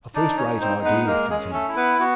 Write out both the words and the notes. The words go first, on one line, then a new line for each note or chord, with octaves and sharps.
'A first-rate idea,' says he.
D4 D#4 D5
C#4 C#5
D#4
C4 C5
G#3
B3 B4
G#3 A#3 A#4
G#3 G#4
C#4
A3 A4
E4
B3 B4
B3 F#4